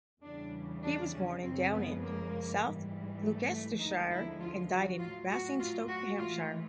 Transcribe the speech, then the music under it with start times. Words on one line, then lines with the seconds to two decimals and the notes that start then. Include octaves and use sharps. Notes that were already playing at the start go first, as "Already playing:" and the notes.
He was born in Downend, South Gloucestershire and died in Basingstoke, Hampshire.
0.23 E2 C#3 E3 G3 D4
0.83 D4
1.13 C#4
1.42 F#2 C#3 F3 G#3 C4
1.73 B3
2.02 A#3
2.62 G#2 E3 G3
3.22 A3
3.50 A3
3.81 D#2 D3 F3 G#3 D#4
4.10 E4
4.40 F4
4.70 F#4
4.99 A2 F#3 F4
5.30 F#4
5.59 F4
5.88 F#4
6.18 A2 E3 G#3 F4